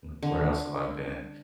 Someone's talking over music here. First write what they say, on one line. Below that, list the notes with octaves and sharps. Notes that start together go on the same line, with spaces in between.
like, where else have I been?
D3